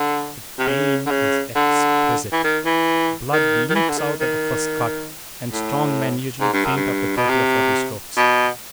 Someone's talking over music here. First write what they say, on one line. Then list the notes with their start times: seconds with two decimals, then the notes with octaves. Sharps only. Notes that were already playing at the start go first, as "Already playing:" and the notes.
The pain is exquisite; blood leaps out at the first cut, and strong men usually faint after thirty or forty strokes.
Already playing: D3
0.59 C3
0.67 C#3
1.06 D3
1.11 C#3
1.55 D3
2.32 E3
2.44 D#3
2.65 E3
3.32 D#3
3.70 D#3
3.75 E3
3.89 D3
3.98 D#3
4.20 D#3
5.53 A2
6.40 G#2
6.53 G2
6.65 F#2
6.76 G2
7.17 B2
7.29 C3
8.17 B2